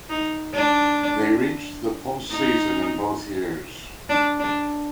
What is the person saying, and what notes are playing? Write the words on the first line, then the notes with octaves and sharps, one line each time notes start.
They reached the postseason in both years.
D#4
D4
D#4
D4
D4